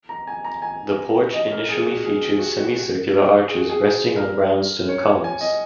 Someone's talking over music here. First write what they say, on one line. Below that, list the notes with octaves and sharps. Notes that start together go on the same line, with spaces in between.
The porch initially featured semicircular arches resting on round stone columns.
A#5
G#5
A#5
G#5
D#5
A#4
G#4
F#4
G#4
G#4
F#4
F#4
F#4
G#4
F#4
G#4
A#4
C#5
G#5
D#5